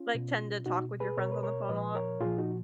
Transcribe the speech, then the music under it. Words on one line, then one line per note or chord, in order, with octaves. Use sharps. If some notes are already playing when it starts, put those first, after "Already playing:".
like tend to talk with your friends on the phone a lot?
Already playing: C#4 F4
B2
B2 D#4 F#4
G#4 B4
B2 A#4 C#5
B4
A#4 C#5
A#2 F3 B4 D#5
A#4 C#5
A#2 F3 F4 G#4
D#4 F#4